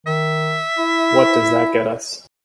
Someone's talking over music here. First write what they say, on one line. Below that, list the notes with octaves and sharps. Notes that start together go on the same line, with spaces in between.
What does that get us?
D#3 E5
E4